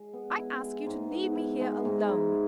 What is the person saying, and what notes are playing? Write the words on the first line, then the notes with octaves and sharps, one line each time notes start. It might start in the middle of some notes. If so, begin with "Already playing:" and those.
I ask you to leave me here alone.
Already playing: G#3
B3
E4
G#3
G#2
B3
E4
G#3
G#2
E4